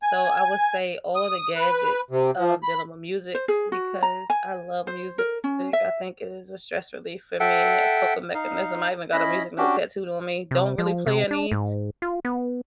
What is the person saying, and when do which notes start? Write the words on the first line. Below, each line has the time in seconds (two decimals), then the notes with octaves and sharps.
so I would say all of the gadgets, um, dealing with music because I love music. I think it is a stress relief for me, a coping mechanism, I even got a music note tattooed on me, don't really play any,
0.03 G#5
1.15 D#6
1.55 B4
2.11 C3
2.38 F3
2.63 B5
3.35 C5
3.48 G#4
3.72 F#4
4.03 A#5
4.30 G#5
4.87 C5
5.18 A#4
5.44 C#4
5.73 E5
7.40 A4 E5 F#5 G5
8.34 D#4 F5
9.13 C#4 E4 D#5 B5
9.58 C#4 D4 F#4 G4
10.51 C3
10.78 F3
11.07 C3
11.31 D4
11.52 G#2
12.02 F4
12.25 B3